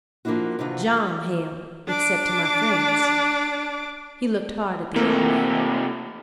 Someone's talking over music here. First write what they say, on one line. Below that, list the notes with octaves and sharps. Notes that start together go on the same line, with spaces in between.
"JOHN Hale, except to my friends." He looked hard at the old man.
F3 A#3 C4 D4 E4 F#4
C3 D#3 E3 D4 F4 F#4
D4 D6
C3 A3 A#3